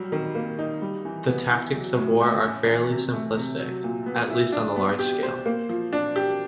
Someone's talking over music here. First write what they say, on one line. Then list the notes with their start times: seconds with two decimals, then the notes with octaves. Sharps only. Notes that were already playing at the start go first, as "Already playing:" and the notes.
The tactics of the war are fairly simplistic, at least on the large scale.
Already playing: F#3 G3
0.12 D#3
0.35 A#3
0.59 D#4
0.81 G3
1.05 E3
1.28 B3
1.51 E3
1.75 F#3
1.97 A2
2.21 A3
2.44 C#4
2.67 E3
2.91 C3
3.13 A3
3.37 C3
3.59 F#3
3.84 A#2
4.06 B3
4.30 E4
4.52 D4
4.76 B3
4.99 G4
5.23 C5
5.46 A#3
5.69 F3
5.93 D4
6.16 G4